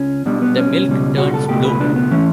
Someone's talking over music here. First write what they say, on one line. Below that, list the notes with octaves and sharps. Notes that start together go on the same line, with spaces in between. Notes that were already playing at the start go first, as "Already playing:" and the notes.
The milk turns blue!
Already playing: C#2 C#4
B1 B2 G3 D4
B3
C#4
C#2 B2 G3
F#4
A4
C#2 B2 A3 G4
B4
D4
B3
E3 A3 C#4